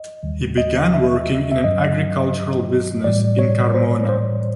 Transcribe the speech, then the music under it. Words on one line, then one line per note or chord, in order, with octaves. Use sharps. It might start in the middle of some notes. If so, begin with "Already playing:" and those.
He began working in an agricultural business in Carmona.
Already playing: D#5
D#2 D#3 G3
D#5
E5
E5
G2 D#3 F#3 D#5
A2 E3 G3 D5
C#5
C5
C5